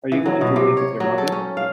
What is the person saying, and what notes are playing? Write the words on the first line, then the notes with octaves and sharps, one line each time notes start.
Are you going to live with your mother?
E3
F#3
B2
C3
C#5
F#3
A4
C#4
F5